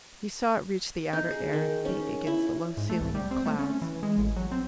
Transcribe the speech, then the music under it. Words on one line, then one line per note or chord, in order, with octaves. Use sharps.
He saw it reach the outer air and beat against the low ceiling of clouds.
D#4
G#4
D#3
C#4
E4
G#2
A3
C2
G3
C4
A3
C#4
E3
G#3
A1
F#3
C4